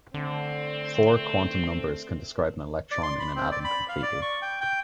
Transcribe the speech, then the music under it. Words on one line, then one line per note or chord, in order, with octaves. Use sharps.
Four quantum numbers can describe an electron in an atom completely.
D3 A3 C4
D5
C6
B5
C4
D5
B5
F5
D5
C#6
G5
G5